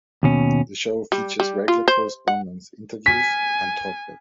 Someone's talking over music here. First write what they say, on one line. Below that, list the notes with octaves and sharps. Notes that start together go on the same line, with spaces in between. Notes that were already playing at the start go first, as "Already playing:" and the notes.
The show features regular correspondents, interviews and talkback.
D#2 B2 C#4
G3
G3
F4
C5
F#5
G#5 B6